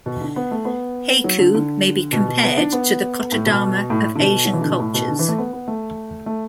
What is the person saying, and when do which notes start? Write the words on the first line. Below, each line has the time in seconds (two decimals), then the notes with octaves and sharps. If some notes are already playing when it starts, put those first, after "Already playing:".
Heku may be compared to the Kotodama of Asian cultures.
0.06 B2
0.21 D3
0.36 B3
0.51 A3
0.65 B3
1.24 F#3
1.39 D3
1.55 D3
2.13 B2
2.28 B2
2.43 B3
2.57 D4
2.73 B3
3.32 A2
3.46 B2
3.90 A2
4.16 D3
4.20 B2
4.45 F#3
4.53 E3
4.61 D3
4.70 B2
4.80 A2
4.94 B2
5.08 D3
5.19 E3
5.28 A3
5.38 B3
5.53 B3
5.68 A3
6.26 A3